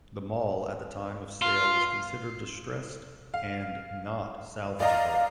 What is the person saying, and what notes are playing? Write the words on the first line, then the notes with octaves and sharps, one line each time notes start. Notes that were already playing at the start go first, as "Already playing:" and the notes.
The mall at the time of sale was considered distressed and not salvageable.
F4
F5
D5 D#5 F5 A#5